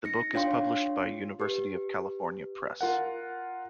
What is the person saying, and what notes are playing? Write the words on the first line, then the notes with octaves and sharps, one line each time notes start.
The book is published by University of California Press.
D#4 A#6 C#7
D4 F4 C#5 F5 G5 C6
G4 B4
F4 A#4 F#5